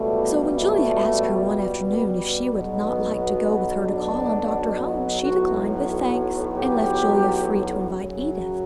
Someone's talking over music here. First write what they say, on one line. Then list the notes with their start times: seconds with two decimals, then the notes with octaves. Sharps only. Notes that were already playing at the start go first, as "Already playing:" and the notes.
So when Julia asked her one afternoon, if she would not like to go with her to call on Dr. Holmes, she declined with thanks, and left Julia free to invite Edith.
Already playing: C#2 B2 G3 A3
0.52 A3
1.86 B3
2.53 B1 B2 F#3
2.86 B3
3.20 B3
3.86 D4
5.20 B1 A2 F#3 F#4
6.54 G4
7.88 F#2 C#3 F#3